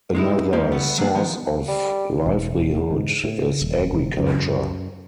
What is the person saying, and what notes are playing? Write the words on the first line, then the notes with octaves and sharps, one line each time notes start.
Another source of livelihood is agriculture.
G#3 D#4 E4
G3 G#3 A#3 G4
G3 A3 B3
F#3 A#3 D4
D#3 F3 B3
G3
E1
G#2
A2
D#1
E1
F#2